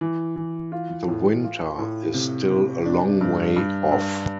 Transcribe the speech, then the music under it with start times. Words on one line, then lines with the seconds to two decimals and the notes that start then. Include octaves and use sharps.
The Winter is still a long way off.
0.01 E3
0.36 E3
0.72 F4
1.08 A2
1.44 F4
1.78 A2
2.14 C3
2.50 C3
2.86 D4
3.21 G2
3.56 G2
3.92 G2